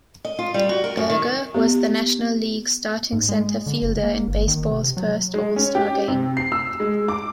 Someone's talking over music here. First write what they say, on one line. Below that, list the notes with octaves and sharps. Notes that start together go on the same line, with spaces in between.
Berger was the National League's starting center fielder in baseball's first All-Star Game.
D#5
F4
G3
F#4
A#4
F#2
D#3
B3 G4
G#2
G#3
D3
F#1
A#3
G1
D#3
C3
F#3
G#3
C#4
G4
C3
C7
E6
G#3
D6